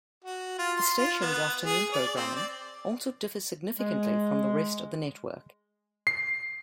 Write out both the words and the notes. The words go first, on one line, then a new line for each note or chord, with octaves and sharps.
The station's afternoon programming also differs significantly from the rest of the network.
F#4
F4
C6
F4
B3
G#4
D5
C4
D5
G#3
C7